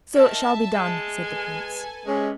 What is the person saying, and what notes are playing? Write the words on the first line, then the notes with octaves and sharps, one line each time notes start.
"So it shall be done!" said the Prince.
D#3 E5 A5
G#3
A4 B4 G#5
C3 G#3 C#4